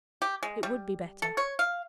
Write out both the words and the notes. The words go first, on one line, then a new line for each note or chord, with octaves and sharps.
It would be better.
G4
G#3
G3
A4
C#5
F5